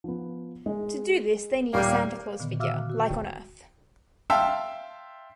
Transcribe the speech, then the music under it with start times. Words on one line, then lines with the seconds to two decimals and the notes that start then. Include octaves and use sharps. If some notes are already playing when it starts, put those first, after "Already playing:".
To do this, they need a Santa Claus figure, like on Earth.
0.04 F3 B3
0.66 G#3
1.74 D#1 G3 A#3 D6
2.40 A#2 D3 D#3 B3
2.60 F#4 E5 F5 D6 E6 F6
2.76 F#6
2.90 F#4
3.06 G5
4.30 E5 F5 G5 A5 C6 E6